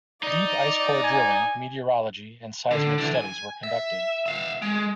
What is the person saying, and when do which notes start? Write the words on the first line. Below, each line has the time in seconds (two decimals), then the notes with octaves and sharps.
Deep ice core drilling, meteorology and seismic studies were conducted.
0.23 D#4 D5
1.04 G#5
2.71 D3
2.98 D3 E3
3.14 G#5
3.63 E5
4.26 E5 F5
4.62 G#3